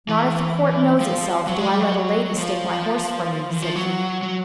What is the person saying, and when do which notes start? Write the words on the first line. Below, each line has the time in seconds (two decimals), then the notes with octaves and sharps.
"Not if the court knows itself do I let a lady stake my horse for me," said he.
0.09 E3
1.00 F3
1.47 F#3
1.58 G#3
1.69 G3
1.81 F#3
2.38 F3
3.49 E3
3.62 F3
3.76 F#3
4.23 F#3